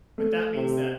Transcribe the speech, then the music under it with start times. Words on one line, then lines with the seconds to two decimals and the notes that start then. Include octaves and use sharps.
but that means that
0.18 A3
0.55 C3